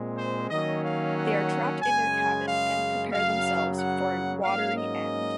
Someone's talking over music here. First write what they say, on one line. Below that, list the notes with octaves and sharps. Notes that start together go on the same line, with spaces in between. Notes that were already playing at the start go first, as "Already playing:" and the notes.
They are trapped in their cabin and prepare themselves for a watery end.
Already playing: A#2 G#3 C4
C5
D#3 F#3 A#3 C#4 D#5
F5
F#5
F#2 C#3 G#3 G#5
F5
F#2 C#3 F#3 F5
F#5
G#2 F#3 A#3 C#4 F5
D#5